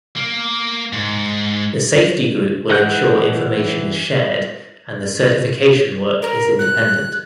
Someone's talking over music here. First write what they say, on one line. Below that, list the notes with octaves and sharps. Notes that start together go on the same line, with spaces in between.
The safety group will ensure information is shared and the certification work is independent.
A#3
G#2
E3 D#5 F#5 F#6 G6
A#4
F#6